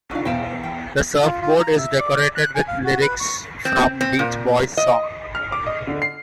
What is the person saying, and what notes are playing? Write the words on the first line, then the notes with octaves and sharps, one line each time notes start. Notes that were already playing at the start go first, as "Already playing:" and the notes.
The surfboard is decorated with lyrics from Beach Boys songs.
F#3 D4 D#4 F4 F5
E2 B2 C5 F5 G5 E7
G5
F4
F4
A#5
E5
D5
F#6
G#5
F5
F#4
B4
C#6
C4
C4
A#2
D#5
F6
D6
D#5
D3
C7